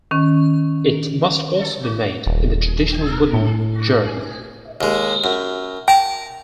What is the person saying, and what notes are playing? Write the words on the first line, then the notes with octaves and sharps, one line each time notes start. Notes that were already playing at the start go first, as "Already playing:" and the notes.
It must also be made in the traditional wooden 'gerle'.
D#3 C#4
D#1
A2
D#2 G#3
F#2
G5 A5 A#5